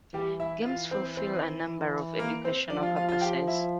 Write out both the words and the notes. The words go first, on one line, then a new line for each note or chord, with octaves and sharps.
Games fulfill a number of educational purposes.
E3 G3 G4
E4 E5
E3 F4 F5
C4 C5
C4 C5
A#3 A#4
C4 C5
F3 D4 D5
F4 F5
F4 F5
F4 F5
G4 G5
E4 E5